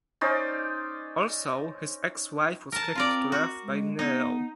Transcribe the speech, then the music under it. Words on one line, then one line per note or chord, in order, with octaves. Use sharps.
Also, his ex-wife was kicked to death by Nero.
C#4 D#4 C5 D5
A#4 A5
C4 F4 A#4 D5
F#4
G#3
B3 D#4